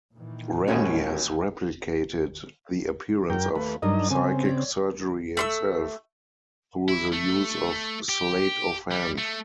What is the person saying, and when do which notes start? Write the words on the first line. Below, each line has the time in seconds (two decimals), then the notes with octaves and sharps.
Randi has replicated the appearance of psychic surgery himself through the use of sleight-of-hand.
0.14 A#2 D#3 E3
0.68 A#1 D#2 G#3 C#4 D#4 F#4
3.30 F#2 A#4 G5
3.55 D#2 A3 B4
3.82 G2 F#3 D4 D#4 A#4 D#5
4.11 C#3 C4 G#5
4.45 C#5 D5
5.37 A3 C6 E6
6.89 E4
7.13 A3
8.09 G4
8.91 G3
9.18 A3